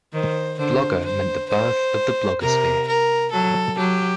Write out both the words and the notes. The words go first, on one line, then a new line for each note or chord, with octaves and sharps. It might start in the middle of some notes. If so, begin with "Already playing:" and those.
Blogger meant the birth of blogosphere.
D#3 C5
D3 C5
C5
C5
C3 A#4
A#4
F#3 A4
F#3 G4